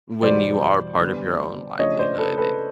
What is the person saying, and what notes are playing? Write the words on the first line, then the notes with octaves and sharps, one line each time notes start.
when you are part of your own livelihood and
E2 B2 G3 C5 D5
D3 G3 B3
C#3 F3 A3 D4 C#5 D#5
C5 D5
A4 B4
A4 B4